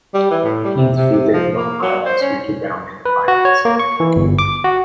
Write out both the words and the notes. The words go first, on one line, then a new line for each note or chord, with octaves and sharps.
He defeated Long Island's Ricky Brown in the finals.
G3
E3
A2
G3
C3
C3
C3
F3
A#3
F#3
C5
C#4
B4
F#4
C#5
A#3
C#6
E3
G1
D6
F#4